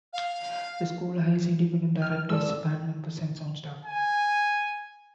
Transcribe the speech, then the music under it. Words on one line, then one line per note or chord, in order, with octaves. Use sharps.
The school hires independent directors, band members and sound staff.
F5
F6
G#3 A4 D5 E6
G#5